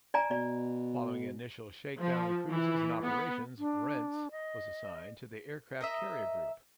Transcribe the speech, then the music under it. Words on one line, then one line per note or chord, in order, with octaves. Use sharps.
Following initial shakedown cruises and operations, "Rentz" was assigned to the aircraft carrier group.
D5 G#5 A#5
B2 D5
F3
E3
B3
D4
D#5
A#4 D#5 E5